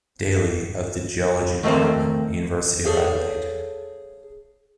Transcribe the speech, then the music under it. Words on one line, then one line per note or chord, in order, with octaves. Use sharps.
Daily, of the Geology Department, University of Adelaide.
D#3 A3 A#3 C4 C5
G#4 A4 C5 C#5 E5 F5